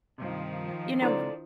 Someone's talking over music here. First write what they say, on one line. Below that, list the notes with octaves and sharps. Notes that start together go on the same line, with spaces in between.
you know,
G2 C3 D#3 F3
C#2 C4 D4 E4 A4 C5 D5 A#5